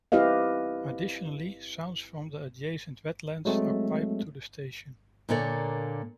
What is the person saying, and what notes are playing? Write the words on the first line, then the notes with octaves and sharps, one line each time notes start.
Additionally, sounds from the adjacent wetlands are piped to the station.
C4 E4 G4 B4 D#5 F5
F#3 G#3 A3 C4
A#2 D3 A#3 C#5 D5